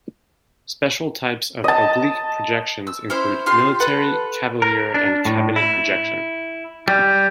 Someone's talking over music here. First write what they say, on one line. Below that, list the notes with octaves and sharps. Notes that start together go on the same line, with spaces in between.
Special types of oblique projections include "military", "cavalier" and "cabinet projection".
D#5 A5
E6
C#4 E4 C5 E6
F4 G4 C6
A4 B4 F#5
A#4
D4
A2
E4
G3